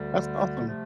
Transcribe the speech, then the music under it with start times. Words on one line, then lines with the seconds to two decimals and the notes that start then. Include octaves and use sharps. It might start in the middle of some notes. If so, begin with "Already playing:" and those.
that's awesome.
Already playing: D2 D3 G3
0.66 C3 F3 A3